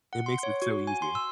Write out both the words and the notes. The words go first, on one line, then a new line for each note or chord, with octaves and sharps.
it makes it so easy.
F#5
C6
C#5
F#4
G#5
C6
E6